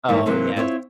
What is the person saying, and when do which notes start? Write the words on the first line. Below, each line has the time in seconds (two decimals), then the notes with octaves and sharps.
Oh, yes.
0.09 G#2 E3 G3 A#3
0.26 C3 E3 F#3 A#3 C4
0.56 C4 E4 F4 C5 C#5